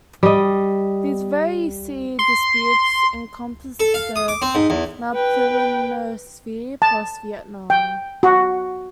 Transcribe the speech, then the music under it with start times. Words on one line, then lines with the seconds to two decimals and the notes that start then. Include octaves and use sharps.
These very sea disputes encompass the Maphilindo sphere, plus Vietnam.
0.23 G3 D#5
2.19 C6
3.80 A4
3.94 F5
4.16 D#6
4.28 D6
4.42 C4
4.55 G#2
4.70 E2
5.14 B4 G5
6.82 A5
7.70 G5
8.23 F#4